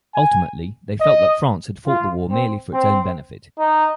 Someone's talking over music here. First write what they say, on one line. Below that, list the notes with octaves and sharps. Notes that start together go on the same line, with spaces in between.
Ultimately they felt that France had fought the war merely for its own benefit.
G#5
D#5
F4
C4
C4
D#4